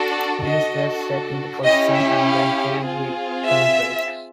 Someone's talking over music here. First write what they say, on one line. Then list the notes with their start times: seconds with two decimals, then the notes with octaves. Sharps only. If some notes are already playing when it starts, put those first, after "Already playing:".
These were set into position and then filled with concrete.
Already playing: D4 F#4 A4
0.12 D5
0.43 D4 F#4 A4 D#5
1.64 C#4 E4 G4 D#5
1.94 E5
2.26 F5
2.86 C4 F4 G#4
3.47 E5